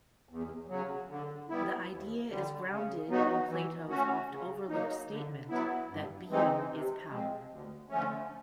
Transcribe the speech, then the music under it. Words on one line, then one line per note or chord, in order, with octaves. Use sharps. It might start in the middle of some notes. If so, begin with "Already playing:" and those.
The idea is grounded in Plato's oft-overlooked statement that being is power.
E2
C#3 F#3
D3
G3 B3 E4
D#2
D3 G3
C#3
F#3 B3 D#4 F#4
E3
A3 C#4 F#4
C#3
F#3 A#3 D#4
D3
F#3 B3 E4
G2
E3 G#3 C4 D#4
C3
F3 G#3 C4
D2
D3 F3 A3 C#4